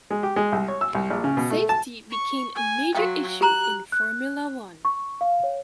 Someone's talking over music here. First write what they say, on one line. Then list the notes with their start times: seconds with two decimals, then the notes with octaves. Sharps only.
Safety became a major issue in Formula One.
0.11 G#3
0.23 G4
0.36 G#3
0.52 C2
0.68 C#5
0.81 E6
0.95 C2
1.11 A#1
1.24 C#3
1.37 B2
1.50 A3
1.69 A5
2.11 C#6
2.54 G#5
2.95 F#3 F#4 F5 G5
3.41 G4 A#5 F#6
3.92 F#6
4.85 C#6
5.21 F5
5.43 C#5